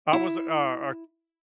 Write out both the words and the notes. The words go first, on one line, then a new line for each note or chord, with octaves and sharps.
I was, a, uh uh
E4